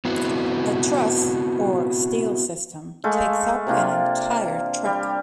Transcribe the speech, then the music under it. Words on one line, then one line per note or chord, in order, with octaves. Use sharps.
A truss or steel system takes up an entire truck.
B3 C4 E4 F#4 B4
G#3 A3 F5
C3 A#3 D4 F4
G3